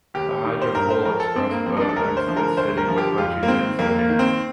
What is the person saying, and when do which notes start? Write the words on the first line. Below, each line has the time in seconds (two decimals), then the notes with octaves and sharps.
The hydrofoil express boat links this city with Ho Chi Minh City.
0.14 D#2 G4
0.45 D#3
0.62 C5
0.75 G2 A#4
0.90 C5
1.05 F3 A#4
1.20 A4
1.36 G2 C4
1.51 A#3
1.66 F3 C4
1.77 D#4
1.81 D4
1.89 A4
1.96 D2 A#4
2.17 C5
2.26 D3 F3
2.36 A#4
2.57 D2 C5
2.78 A#4
2.87 D3 F3
2.98 G4
3.18 F2 F4
3.43 A#3
3.48 D#3 C4
3.79 F2 A#3
3.99 A#3
4.09 D#3
4.19 C4